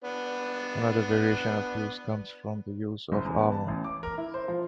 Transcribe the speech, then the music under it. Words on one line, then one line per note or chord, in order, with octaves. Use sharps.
Another variation of use comes from the use of armour.
B3 D4
F#1
E2
B3
A5
A1
D6
A#4
E4
C5
F3